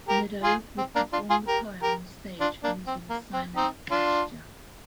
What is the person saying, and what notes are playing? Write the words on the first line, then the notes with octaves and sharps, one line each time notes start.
Gnedov would perform the poem on stage using a silent gesture.
G4 A#4
F4 G#4
C4
A#3 D4
D4 F4
F4 G#4
G4 A#4
G4 A#4
D4 F4
A#3 D4
C4
A#3
C4
C4 D#4
D4 F4